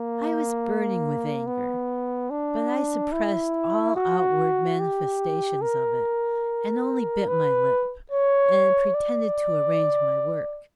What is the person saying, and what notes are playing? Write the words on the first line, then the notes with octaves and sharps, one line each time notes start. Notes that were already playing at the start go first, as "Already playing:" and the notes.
I was burning with anger; but I suppressed all outward manifestations of it, and only bit my lip and pretended to arrange my work.
Already playing: A#3
B3
D4
E4
F#4
G4
A#4
B4
C#5
D5